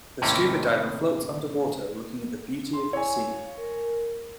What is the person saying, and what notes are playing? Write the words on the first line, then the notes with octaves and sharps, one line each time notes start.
The scuba diver floats underwater looking at the beauty of the sea.
D#2 A2 C3 E3 C4 C#4
C6
E4 C#5 G#5
F5
A#4